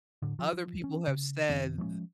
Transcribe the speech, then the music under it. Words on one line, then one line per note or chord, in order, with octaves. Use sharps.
Other people have said, "Th
A2 D3
F3
C#4
C#3
F#2 D#3 C4
F3 G#3 A3 C#4